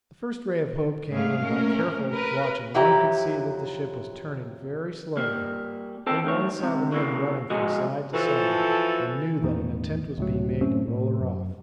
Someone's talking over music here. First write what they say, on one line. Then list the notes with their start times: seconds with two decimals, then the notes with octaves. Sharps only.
The first ray of hope came when by careful watching one could see that the ship was turning very slowly, then one saw the men running from side to side and knew that an attempt was being made to roll her off.
1.11 G#2 G3 A3 B3 G#4 F5
1.42 A3 A#3 C#4 A#4
2.12 A#4 B4
2.74 F2 F#3 E4 G4 A#5
5.17 G3 A#3
6.07 C4 A4 C5 G5 A5
6.24 D2 D#3 C#5
6.59 C#2 C3
6.92 C#3 E3 A#3
7.50 F3 G#3 F#4 G#4 A4 D#5
8.14 E3 F3 F#4 A4
9.42 A1 E2 D#3 B3
10.18 C#2 A2 F#3
10.61 F#2 A2 C4 C#4
10.88 A2
11.20 F#2